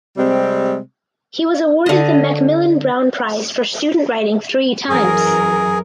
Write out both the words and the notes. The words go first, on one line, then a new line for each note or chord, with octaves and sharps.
He was awarded the Macmillan Brown Prize for student writing three times.
C3 G3 G#3 C4
D3 D#5
F#2 E3 G#4 A#4